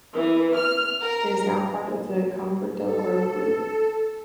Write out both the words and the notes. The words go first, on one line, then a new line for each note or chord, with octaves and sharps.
It is now part of the ComfortDelGro group.
E3
F6
A#4
A4